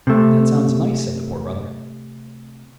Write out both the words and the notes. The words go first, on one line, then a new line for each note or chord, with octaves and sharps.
"That sounds nice," said the Poor Brother.
C3 A3